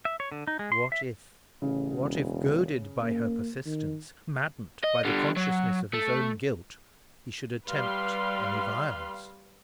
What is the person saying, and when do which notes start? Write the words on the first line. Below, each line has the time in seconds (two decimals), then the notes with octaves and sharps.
What if--what if, goaded by her persistence, maddened by the consciousness of his own guilt, he should attempt any violence.
0.05 E5
0.20 C#5
0.32 D3
0.47 D#4
0.59 G#3
0.72 C6
0.92 E5
1.62 A1 C#3
1.97 E1
3.02 A#3
3.66 D#3
4.84 D#5
5.05 D3 G3
5.36 F#3
5.94 A3
7.69 G3 B4 F5 C6